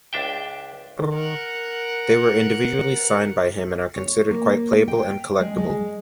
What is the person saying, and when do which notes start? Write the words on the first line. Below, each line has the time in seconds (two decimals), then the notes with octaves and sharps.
They were individually signed by him and are considered quite playable and collectable.
0.13 C#2 D4 E5 G5
1.13 A#4 F#5
3.96 C#5
4.31 A#3
4.88 G5
5.40 G#3
5.58 G#3